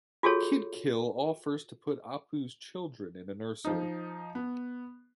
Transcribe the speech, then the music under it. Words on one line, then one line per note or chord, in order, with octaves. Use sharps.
Kidkill offers to put Apu's children in a nursery.
F4 F#4 G#4 A4 C#5
F3 D#4
B3